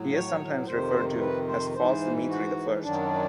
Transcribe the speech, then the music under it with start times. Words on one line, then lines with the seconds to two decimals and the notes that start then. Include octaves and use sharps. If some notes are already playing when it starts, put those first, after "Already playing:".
He is sometimes referred to as False Dmitry the First.
Already playing: A2 F#3
0.12 C#5
0.66 F2 C3 D#3 C5
1.20 B4
1.47 C5
1.74 G#2 E3 C5
2.28 F#4
2.83 F#2 D#3 F#3 D4